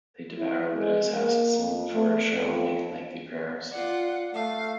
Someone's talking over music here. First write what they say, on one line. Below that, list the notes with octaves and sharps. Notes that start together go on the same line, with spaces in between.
They devour widows' houses and for a show make lengthy prayers.
E4
G#3
A#3
F2
A3
F2
F4 D5 F#5
A3 F5